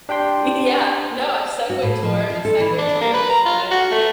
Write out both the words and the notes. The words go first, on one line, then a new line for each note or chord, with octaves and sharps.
yeah, no, a Segway tour a Segway tour is included,
D4 G4 G5 C6
F#4
A2
F3
F3
A4
E3
D4
A#3
B4
A#5
F4
F#4
A3